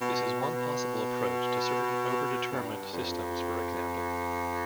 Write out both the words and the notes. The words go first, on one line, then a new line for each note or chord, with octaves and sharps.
This is one possible approach to certain over-determined systems, for example.
B2
B2
G2
F2